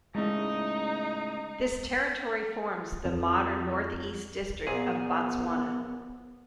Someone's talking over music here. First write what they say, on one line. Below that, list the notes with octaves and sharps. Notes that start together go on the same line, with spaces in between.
This territory forms the modern North-East District of Botswana.
A2 C#3 G#3 D#4
F2
A#1 A#2 B3 G#4